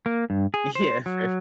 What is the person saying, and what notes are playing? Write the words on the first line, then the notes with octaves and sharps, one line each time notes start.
Yeah, for
A#3
G2
G#4
C5
F#3